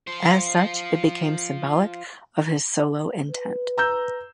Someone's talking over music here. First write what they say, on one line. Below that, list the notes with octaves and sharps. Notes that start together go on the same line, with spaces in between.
As such, it became symbolic of his solo intent.
F4 C5
B4
A#5 E6 G6